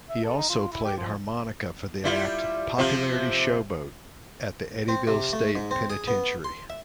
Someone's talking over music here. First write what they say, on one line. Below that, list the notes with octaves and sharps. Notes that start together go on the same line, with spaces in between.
He also played harmonica for the act "Popularity Showboat" at the Eddyville State Penitentiary.
E5
A4
D#4
F4
E4
G4
F3
G3 E4 F4
C3 F3 F4
C4
C3
A3
G#2
C4
G#4
B3
C6
E5